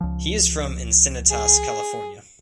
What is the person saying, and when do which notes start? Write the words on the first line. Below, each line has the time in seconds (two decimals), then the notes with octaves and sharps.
He is from Encinitas, California.
0.01 C#2 F3
1.31 G#4